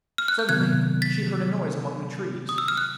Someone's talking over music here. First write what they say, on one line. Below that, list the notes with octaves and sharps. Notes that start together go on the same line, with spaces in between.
Suddenly she heard a noise among the trees.
F6
F#6
G6
C3 D#3 F#3 B3 F#6 G#6
A6 B6
D#6
E6
F6
F#6